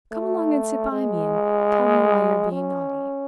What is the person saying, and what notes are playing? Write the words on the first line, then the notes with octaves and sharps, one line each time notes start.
"Come along and sit by me and tell me why you're being naughty."
A3
G#3
C#4